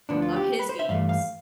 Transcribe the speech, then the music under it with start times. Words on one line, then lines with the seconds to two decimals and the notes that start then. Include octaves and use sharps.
of his games.
0.09 D2 D3 F3 B3 D4
0.22 F4
0.36 G4
0.59 B4
0.69 C5
0.79 E5
0.89 G2 E3 A3 F5
1.09 F5